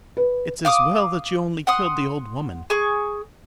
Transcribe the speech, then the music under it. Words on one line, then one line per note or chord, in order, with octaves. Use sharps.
It's as well that you only killed the old woman.
B4
F5 D6 D#6
F#5 C6 D#6
G#4 C#6